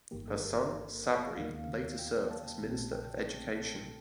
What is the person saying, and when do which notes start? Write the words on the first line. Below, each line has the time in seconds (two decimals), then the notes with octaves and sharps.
Her son Sabri later served as Minister of Education.
0.11 G1 G2 D#3 A#3 G4
0.28 A4
0.43 A#4
1.06 D5
1.22 F5
1.36 D#2 D#3 A#3 F5
1.99 G5
2.31 A5
2.62 A#1 A#2 A3 C4
2.92 G5
3.56 A4